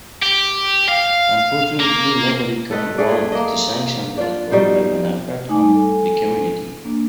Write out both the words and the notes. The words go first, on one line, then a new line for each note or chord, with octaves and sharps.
Unfortunately, nobody can warrant the sanctions that will have an effect on the community.
G4
F5
A#3
A4 B4 D#5
A3 G#4 D5
A#3 D#5
D4 F4
B2 G3 D#4 C5
A3 D#4 G#5 D6
G3 G#5
A4 G#5
A#3 D4